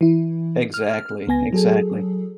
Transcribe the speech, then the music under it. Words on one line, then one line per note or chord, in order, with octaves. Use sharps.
Exactly, exactly.
E3 E4
F6
C#2 B3 G#5 A#6
F#3 G#4 A4